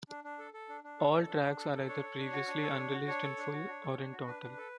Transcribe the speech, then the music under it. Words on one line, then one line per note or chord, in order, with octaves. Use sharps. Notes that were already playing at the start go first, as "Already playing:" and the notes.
All tracks are either previously unreleased in full or in total.
D4
D4
A4
A4
D4
D4
A4
A4
D4
D4
A4
A4
D4 C#5
A4
D4
F#4
D4
A4
D4
F#4
D4 C#5
A4
D4
F#4
D4
A4
D4
F#4
D4 B4
D4
A4